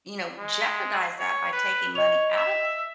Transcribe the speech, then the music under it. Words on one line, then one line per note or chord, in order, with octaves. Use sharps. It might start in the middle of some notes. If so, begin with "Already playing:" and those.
you know, jeopardize that by taking money out of
G#3
C#5
B4
C#5 D#5 F7
E5